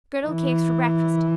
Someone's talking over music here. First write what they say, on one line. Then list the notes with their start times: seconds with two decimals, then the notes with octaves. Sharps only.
Gridel cakes for brekfast.
0.27 E3